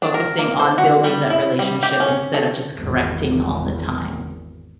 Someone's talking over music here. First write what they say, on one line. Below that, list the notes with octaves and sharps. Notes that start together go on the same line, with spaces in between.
focusing on building that relationship instead of just correcting all the time.
D4
A#4
A#3
C5
F#4
G3
E4
G3
G4
C#4
A4
G#1 E2